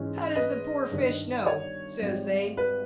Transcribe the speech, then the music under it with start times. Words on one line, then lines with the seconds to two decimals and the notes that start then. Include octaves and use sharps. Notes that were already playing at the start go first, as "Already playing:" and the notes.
How does the poor fish know?' says they.
Already playing: G#2 E3 G#3 C#4
0.35 B4 D#5
0.91 G1 G2 D#3
1.46 C#5
2.02 G#1 G#2 G3
2.57 B4